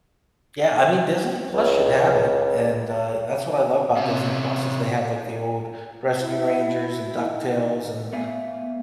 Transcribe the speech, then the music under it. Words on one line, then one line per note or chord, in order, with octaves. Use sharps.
Yeah, I mean, Disney Plus should have it, and, uh, that's what I love about Disney Plus is they have, like, the old Rescue Rangers and Duck Tales and
C#2
C3 C#4
E4
D#3
A3 B3 E5 F5 G#5